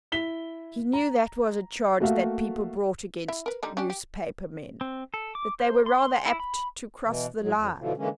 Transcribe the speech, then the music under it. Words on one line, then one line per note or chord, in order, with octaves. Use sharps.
He knew that was a charge that people brought against newspaper-men--that they were rather apt to cross the line.
E4 B6 G7
A#5
A3 A#3 F#4 A4 E5 F5
E4 E5
A#4 B4
D3 G3 D#4
C#4 D4 G4
G4
C4
A4
D6
C5
C6
E4
B5
B2 E3
A2 F#3
F2
B2 D3 E3 F3
D3 E3 G#3 A#3 C#4